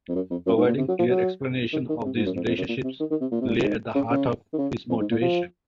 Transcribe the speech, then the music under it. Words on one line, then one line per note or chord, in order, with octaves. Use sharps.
Providing clear explanation of these relationships lay at the heart of his motivation.
F2
F#2
F2
F#2
G#2
A#2
C3
F#3
F3
F#3
D#3
D#3
C3
G#2
F#2
F2
F2
F#2
A#2
C3
D#3
D#3
C3
A#2
C3
A#2
G#2
C#3
C#3
D#3
C#3
F2
G#2
A#2
F3